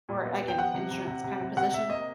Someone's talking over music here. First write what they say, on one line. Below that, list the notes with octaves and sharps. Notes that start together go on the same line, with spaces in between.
for, like, an insurance kinda position.
A#2
B3
B3
G5
F3 F#5
C3
C3
C3
C3
C3
C3 F#5
C3 E5
A#3 D#5